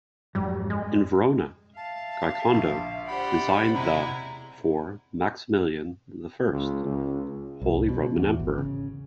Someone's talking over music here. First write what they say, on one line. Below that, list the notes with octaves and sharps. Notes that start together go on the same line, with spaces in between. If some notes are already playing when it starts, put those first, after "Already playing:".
In Verona, Giocondo designed the for Maximilian the First, Holy Roman Emperor.
F2 G#2 F#3 G3
G#3
E5 F5 A5
A#1
G4 C5 D5 F#5 B5
C3 G#3 E4 A#5 B5
C#2
C#2
C2
B2
E2
G#1
C#3